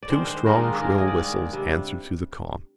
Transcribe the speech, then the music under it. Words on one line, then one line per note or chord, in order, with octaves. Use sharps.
Two strong shrill whistles answered through the calm.
D5
D#3 G#3 D4 C5
C5
D#3 G#3 D4 A#4
D#4
F4
G#4
D#3 G#3 D4 A#4
G#4
D#5
D5
D#3 G#3 D4
C3 G3 D4